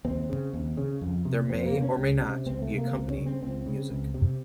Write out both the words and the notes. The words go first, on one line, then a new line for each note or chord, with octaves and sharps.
There may or may not be accompanying music.
D#2 C4
C#3
D#2
C#3
F2
C3
F2 C4
A#3
C3 C4
C#4
C#2
C3
C#2 C4
A3
C3
A#3
C#2 C4
C#4
C#3
C4
C#2 C4
C#3
C#2
C3